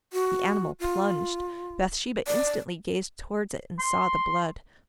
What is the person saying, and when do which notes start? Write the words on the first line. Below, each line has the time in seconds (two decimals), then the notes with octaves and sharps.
The animal plunged; Bathsheba instantly gazed towards it, and saw the blood.
0.13 F#4
0.80 F4
2.27 D5
3.79 C6